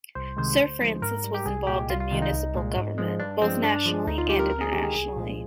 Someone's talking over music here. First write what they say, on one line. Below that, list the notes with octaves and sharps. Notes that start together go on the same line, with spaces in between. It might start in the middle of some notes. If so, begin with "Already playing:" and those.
Sir Francis was involved in municipal government both nationally and internationally.
C2 C5
C3 D#3 G#3 C5
D2
D3 F3 G#3
G#2 A#4
G3
G4
C2 G#4
A#2 G#3 G4
C2 F4
F4
C3 D#3 G#3 F4
D#4
C2
A#2 G#3
G#2
F3 G#3
G2 D4
F3 G#3 C4
G2 D4
F3 G#3
D2 D#4
F4
D3 G3 G4
A#4
D2 A#4
G#4
C3 D#3 G#3 G4
G#4
C2 G#4
A#2 F3 G#3